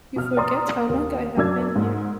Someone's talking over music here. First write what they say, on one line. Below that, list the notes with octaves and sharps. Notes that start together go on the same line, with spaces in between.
You forget how long I have been here.
B2 F6
D5 A#5 C6 D#6
D#2
F#2 F#3 D4 E6 G#6
G#2